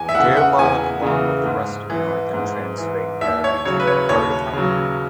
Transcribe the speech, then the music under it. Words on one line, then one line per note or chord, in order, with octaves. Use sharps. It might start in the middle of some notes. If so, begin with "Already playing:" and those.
Gherla along with the rest of northern Transylvania became part of Hungary.
Already playing: E2 G#5
E5
C#3 E3 F#5
F#5
E2 G#5
C#3 E3
G#2
E3
G#2
E3
D#2 E5
C#5
C#3 F#3 C#5
B4
C#5
D#2 C#5
C#3 F#3